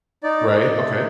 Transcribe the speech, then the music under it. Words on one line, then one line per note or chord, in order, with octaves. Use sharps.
Right, okay.
D#4 D5
D#4
A3